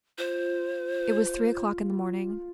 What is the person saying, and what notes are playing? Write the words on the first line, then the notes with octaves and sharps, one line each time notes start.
It was three o'clock in the morning.
F4 C5